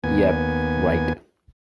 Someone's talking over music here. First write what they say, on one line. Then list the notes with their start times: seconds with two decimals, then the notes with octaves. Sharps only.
Yep, right!
0.04 D#2 B3 G#5